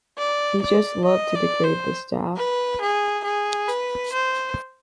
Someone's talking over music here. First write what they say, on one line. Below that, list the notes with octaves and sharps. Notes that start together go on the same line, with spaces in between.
He just loved to degrade the staff.
D5
D5
D#5
D5
C5
B4
G#4
G#4
B4
C5